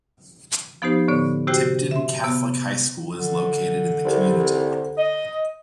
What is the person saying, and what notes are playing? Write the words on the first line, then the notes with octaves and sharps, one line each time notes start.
Tipton Catholic High School is located in the community.
F3 B3 D#4 G4 C5
A2 D3 B3 C#5
C3 F#4 G4 C5 G5
E5 C6
C3 B3
D3
C2
D#5